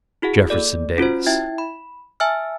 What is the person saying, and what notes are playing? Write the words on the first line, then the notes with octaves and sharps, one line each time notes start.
"Jefferson Davis".
E4 F#4 G#4 F#5
A#3 A4 D5
C#4 F4 F#4 C5
E4 E5 G5 G#6
B5
E5 G#5 A5 E6 F6